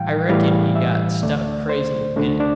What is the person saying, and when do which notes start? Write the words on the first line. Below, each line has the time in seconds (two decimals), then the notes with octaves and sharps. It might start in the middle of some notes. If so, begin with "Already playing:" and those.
I reckon he got struck crazy a minute.
Already playing: A2 E3 G3 F5 G5
0.29 A2 E3 G3 F5
0.75 E5
1.23 D2 D3 A3 D5
1.69 C5
2.16 A3 D4
2.19 D2 D3
2.40 D4